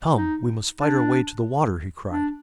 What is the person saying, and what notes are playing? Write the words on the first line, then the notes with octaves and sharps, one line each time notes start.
"Come, we must fight our way to the water!" he cried.
D#4
D4
D4